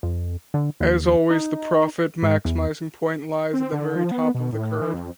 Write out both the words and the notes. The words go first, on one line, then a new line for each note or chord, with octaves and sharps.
As always, the profit maximizing point lies at the very top for the curve.
F2
D3
D#2
D#4
G#2
E2
C4
D3
F3
B3
B2
A2
E3
F2